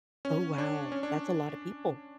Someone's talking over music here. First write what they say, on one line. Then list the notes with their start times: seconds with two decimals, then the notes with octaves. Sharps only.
Oh, wow, that's a lotta people.
0.25 C#4
0.58 D4
0.92 C#4
1.03 D4